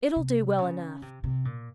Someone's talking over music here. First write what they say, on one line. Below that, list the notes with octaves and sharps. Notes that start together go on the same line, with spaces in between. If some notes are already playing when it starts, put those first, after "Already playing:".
'It'll do well enough.
C3
C#3
C3
C3
A#2